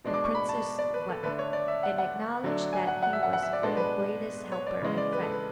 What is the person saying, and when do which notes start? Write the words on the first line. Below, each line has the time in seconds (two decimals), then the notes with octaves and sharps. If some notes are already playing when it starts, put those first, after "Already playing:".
The princess wept, and acknowledged that he was her greatest helper and friend.
0.04 B2 G#3 D4
0.14 D6
0.24 C#6
0.35 B5
0.49 A5
0.79 D5
0.94 B4
1.09 A4
1.23 D3 A3 D4 B4
1.39 C#5
1.53 D5
1.68 E5
1.83 F#5
1.98 F#5
2.43 D3 F#3 A3 D4
2.73 G#5
2.87 F#5
3.03 F#5
3.13 E5
3.23 F#5
3.33 F#5
3.43 E5
3.53 D5
3.62 B2 G#3 B3 D4 A4
3.77 B4
4.52 C#5
4.67 D5
4.82 C#3 E3 G#3 C#4
4.98 D5
5.12 B4
5.22 A4
5.31 B4